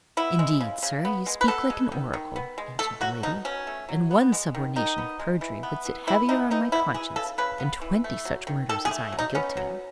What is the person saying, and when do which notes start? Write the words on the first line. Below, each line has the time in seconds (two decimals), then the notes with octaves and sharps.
"Indeed, sir, you speak like an oracle," answered the lady; "and one subornation of perjury would sit heavier on my conscience than twenty such murders as I am guilty of."
0.17 B3 E4
0.39 G#3
0.61 C#3
0.83 C#3
1.05 B3
1.26 G#3
1.41 B4
1.48 B3 A4
1.70 G#3
1.92 D#3
2.13 D#3
2.36 B3
2.58 G#3
2.79 A3 A4
3.01 F#3 F#4
3.23 B2 D#4
3.45 B2 C#4
3.67 A3
3.89 F#3
4.11 B3
4.32 G#3
4.55 D#3
4.76 D#3 D#4
4.98 B3
5.19 G#3
5.41 E3
5.63 B3
5.86 E3
6.07 B3 E4
6.29 E3 D#4
6.51 B3 D#4
6.72 B3 E4
6.94 E3 G#4
7.16 C#3 A4
7.38 C#3 B4
7.60 B3
7.81 E3
8.04 A3
8.25 F#3
8.47 D#3
8.69 D#3 A4
8.85 G#4
8.91 A3
9.12 F#3
9.19 D#4
9.35 B3 C#4
9.57 F#3